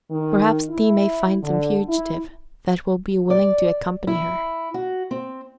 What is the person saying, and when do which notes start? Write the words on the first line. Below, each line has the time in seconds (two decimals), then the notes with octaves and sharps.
Perhaps thee may find some fugitive that will be willing to accompany her.
0.10 D#3
0.70 E4
1.42 D3
1.89 E4
3.30 D5
4.07 E4
4.74 F#4
5.11 C4